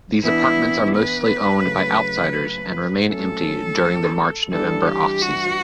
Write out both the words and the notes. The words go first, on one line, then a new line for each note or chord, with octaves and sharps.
These apartments are mostly owned by outsiders and remain empty during the March-November off-season.
E3 B3 D4 E4
B4
C#3 F#3 A3
F#3 A3 C#4 A4
E3 G3 D4 A4
G4
F#4